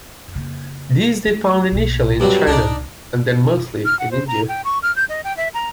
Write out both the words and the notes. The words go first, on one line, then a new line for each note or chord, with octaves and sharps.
This they found initially in China and then mostly in India.
C#3 A#3
A3
B1 A#3
G2 C3 F#3
C#2 D4 D#4 D5
F6
F#5
C5
A#5
G5
C#6
F6
G6
D#5
G5
E5
A#5